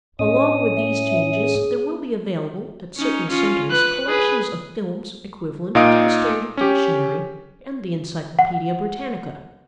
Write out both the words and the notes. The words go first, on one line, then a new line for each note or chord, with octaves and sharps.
Along with these changes, there will be available at certain centres collections of films equivalent to the Standard Dictionary and the Encyclopaedia Britannica.
A2 C#4 D#5 D#6
E5
G#4
C#4 D#4
C#4 F4
B4 F#6
G#4 B4
A#2 D#4 D#5 F5 D#6 D7
C#4 G4
F#5